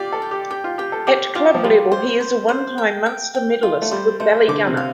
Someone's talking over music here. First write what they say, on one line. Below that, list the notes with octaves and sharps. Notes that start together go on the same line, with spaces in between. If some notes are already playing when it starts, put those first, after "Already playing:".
At club level he is a one-time Munster medallist with Ballygunner.
Already playing: F4 G4 D5
A4
G5
G4
G4 G5
F4
G4 G5
A4
G4 D6
F4 G4
F3
G3 F4
C5
C5
C5
G5
G5
G5
F4
A3
G3 C5
A3 C5
D3 D6
C3
F5